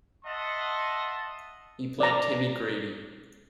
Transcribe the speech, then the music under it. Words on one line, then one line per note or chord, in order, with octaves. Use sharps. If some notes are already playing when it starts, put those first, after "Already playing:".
He played Timmy Grady.
D#5 E5 F#5 A5 C6
D5 A#5